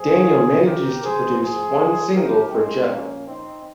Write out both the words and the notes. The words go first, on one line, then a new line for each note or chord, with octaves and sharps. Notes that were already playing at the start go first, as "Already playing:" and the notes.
Daniel manages to produce one single for Joe.
Already playing: A#2 F3 G#4 C5
G4 A#4
G#4 C5
A#2 F3 G#4 C5
G4 A#4
G#3 C4
A#2 F3 A#3 C#4
C4 D#4